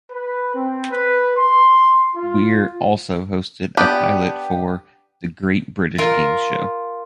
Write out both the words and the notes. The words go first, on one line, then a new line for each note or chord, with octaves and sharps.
Weir also hosted a pilot for "The Great British Game Show".
B4
C4
B4
C6
F4
B3 D4 G4
F4 A#4